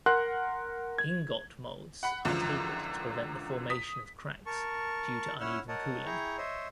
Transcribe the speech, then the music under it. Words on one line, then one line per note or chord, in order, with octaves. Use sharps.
Ingot molds are tapered to prevent the formation of cracks due to uneven cooling.
A#4 F#5 C6 F#6
G#6
F#5 B5 C#7
C#2 F#2 D3 E3 F3
D#6 B6
A#4 A5 C#6
C#4 E4 C#5 F#5 E6 F6
A#4 C#5 D#5 F#5 A5
E4 G#4 G5 A#5 C#6
C5 C#5 D#5 E5